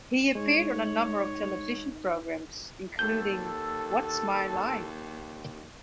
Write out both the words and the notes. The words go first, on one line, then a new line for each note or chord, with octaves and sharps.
He appeared on a number of television programs, including What's My Line?
G#3 D#4 C#5
D#2 A4 G6